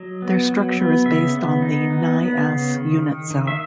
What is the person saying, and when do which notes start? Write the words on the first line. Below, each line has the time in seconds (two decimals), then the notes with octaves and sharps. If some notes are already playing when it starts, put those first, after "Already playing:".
Their structure is based on the NiAs unit cell.
Already playing: F#3 D#5
0.22 B3
0.50 F#3
0.78 B3
1.05 C#3 E5
1.34 B3
1.62 D#4
1.90 B3
2.18 B3
2.47 C#3
2.74 D#3
3.02 D#3
3.31 D#3
3.47 E5